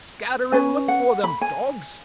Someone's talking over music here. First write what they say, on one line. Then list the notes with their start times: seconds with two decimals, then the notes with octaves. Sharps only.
Scatter and look for them, dogs!
0.52 C#4 B4 G#5
0.88 F#5
1.24 B5
1.41 G#5